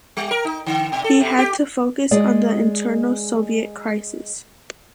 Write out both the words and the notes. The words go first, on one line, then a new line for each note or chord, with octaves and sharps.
He had to focus on the internal Soviet crisis.
G3
A#4
D#4
D3
B2
A4
C3
G4
G#3 G#4 D5 D#5